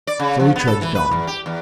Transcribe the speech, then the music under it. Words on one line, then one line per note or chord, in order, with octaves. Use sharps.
So he trudged on.
D5
C#3
F3
B3
A4
E3
B4
E2
G4
E2